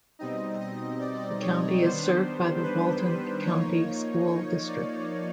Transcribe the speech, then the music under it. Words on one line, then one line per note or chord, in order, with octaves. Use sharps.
The county is served by the Walton County School District.
B2 G3 C4 D#4 D#5
D#5
D5
C#5
D#3 G3 B3 D4 C5
B4
B4
F3 A#3 D#4 C#5
C#5
C#5
D5